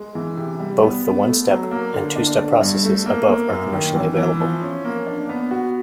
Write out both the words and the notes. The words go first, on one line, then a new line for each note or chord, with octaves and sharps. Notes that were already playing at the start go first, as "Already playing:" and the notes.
Both the one-step and two-step processes above are commercially available.
Already playing: G#3
E3
C3
G3
B3
B3
A3
F#3
A#3
D3
D4
D4
G2
A3
A#3
A#3
F#2
D#3
E3
E3
F3
C#4
A#3
D4
B3
F#4